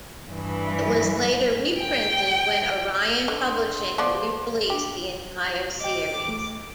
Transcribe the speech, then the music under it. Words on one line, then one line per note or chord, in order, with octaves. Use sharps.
It was later re-printed when Orion Publishing re-released the entire series.
G2 E3
G5
D3
C6
F3 B3 D5
D4 G4
D#5 G5 D6
E2 A3